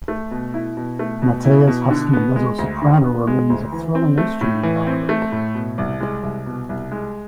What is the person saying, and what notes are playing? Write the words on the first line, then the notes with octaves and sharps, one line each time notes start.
Mattea's husky mezzo-soprano remains a thrilling instrument, however.
A3
B2
E4
B2
A3
B2
E4
B2
D3
B3
G#3
D2
D3
B3
G#3
D2
E3
C4
A3
A2
E3
C4
A3
A2
B2
C2
G#3
C2
B2
C2
G#3